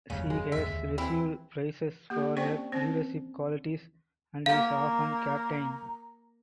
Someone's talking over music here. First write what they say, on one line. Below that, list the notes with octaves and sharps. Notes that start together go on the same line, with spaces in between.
She has received praise for her leadership qualities and is often captain.
F#1 E2 G2 C#3
G#3
G#1 E2 D3 E5
D#2
E3 C4 E4
A#3 G4
C4 C#4 C5 D5 G5 C#6
C4 C#4 C5
A#3 F5 A#5